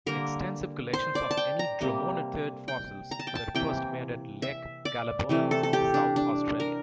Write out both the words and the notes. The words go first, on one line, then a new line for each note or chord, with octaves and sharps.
Extensive collections of any dromornithid fossils were first made at Lake Callabonna, South Australia.
D3 G3 A#3 A#4
C5
D5
A5
G5
A#5
C3 G3 A#3
G5
A#5
A5
G5
A5
C3 E3 A#3 G5
E5
D5
C3 E3 A3
A4
A4
G4
D4
D4
A#4